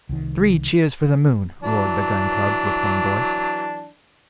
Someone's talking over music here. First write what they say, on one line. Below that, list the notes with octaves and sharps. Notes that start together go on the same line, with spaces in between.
"Three cheers for the Moon!" roared the Gun Club, with one voice.
C2 D#3
E3 F#3 D4